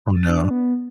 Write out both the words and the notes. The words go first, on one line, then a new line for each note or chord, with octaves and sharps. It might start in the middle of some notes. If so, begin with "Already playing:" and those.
Oh, no.
A6
D4
B3